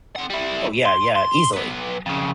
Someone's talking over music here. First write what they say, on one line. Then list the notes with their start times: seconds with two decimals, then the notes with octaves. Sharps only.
Oh yeah, yeah, easily.
0.16 C4 F#5
0.30 G3 E4
0.85 C6
1.15 C6
1.54 F#3 B4
2.06 F2 C#3